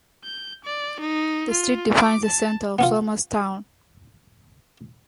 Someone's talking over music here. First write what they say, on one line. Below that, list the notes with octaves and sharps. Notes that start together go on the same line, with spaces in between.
The street defines the centre of Somers Town.
G6
D5
D#4
F4
D6
A5
B3 C#4 F4